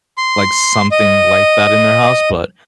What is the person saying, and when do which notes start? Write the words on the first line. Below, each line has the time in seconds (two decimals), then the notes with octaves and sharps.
like, something like that in their house, but
0.18 C6
0.91 D#5